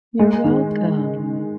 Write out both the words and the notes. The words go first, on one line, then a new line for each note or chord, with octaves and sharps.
You're welcome.
G#3
D#3